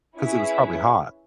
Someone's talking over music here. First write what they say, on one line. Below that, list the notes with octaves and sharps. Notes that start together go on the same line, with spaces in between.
'Cause it was probably hot.
C#4 E4 G#4 B4 E5